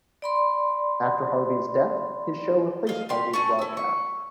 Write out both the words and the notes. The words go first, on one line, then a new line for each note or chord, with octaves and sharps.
After Harvey's death his show replaced Harvey's broadcasts.
D5 B5 C6
D#5 F5
G4 F5 C6
A3 C#4 D4 C#6
E4 E6
C#6